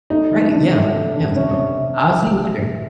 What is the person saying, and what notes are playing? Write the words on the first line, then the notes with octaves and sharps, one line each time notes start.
Right, yeah, yeah, so I'll see you later.
A3 D#4
E3
D4
C3
A3
D4
C3 C#4
C3
C3